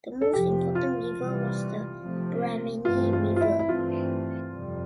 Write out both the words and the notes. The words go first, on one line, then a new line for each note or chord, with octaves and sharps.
The most important river was the Brahmani River.
A4
F2 C3 F3 G4
F4
C3 E3 G3
C3 F3 A3 C4
G2 E3 A3 C4 F4
F4
F4
E4
E4
G2 E3 A3 C4 F4
F2 C3 G3